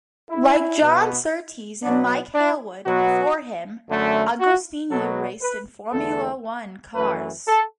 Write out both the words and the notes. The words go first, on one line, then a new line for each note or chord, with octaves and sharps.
Like John Surtees and Mike Hailwood before him, Agostini raced in Formula One cars.
E4
B2 B3
B2 F#3 B3 D4
D4
B2 F#3 B3 F#4
F#2 D3 A3
F#4
B2 F#3 B3 A4
B4
E2 D3 A3 A4
F#2 E3 A3 B4
A4